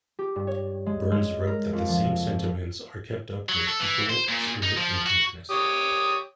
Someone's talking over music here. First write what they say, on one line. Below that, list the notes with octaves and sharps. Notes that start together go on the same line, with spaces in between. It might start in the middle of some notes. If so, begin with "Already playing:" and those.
Burns wrote that "The same sentiments are kept up with equal spirit and tenderness".
G4
G2
C#5
G#3
G#3
A#4
F2
F3
F#3
A4
E3
C5
A#2
D#4
F3
F#4
G4 C#5 D#6